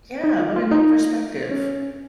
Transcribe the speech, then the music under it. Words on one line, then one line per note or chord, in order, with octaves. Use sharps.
yeah, what a neat perspective.
D#4
F4
F4
D#4
C#4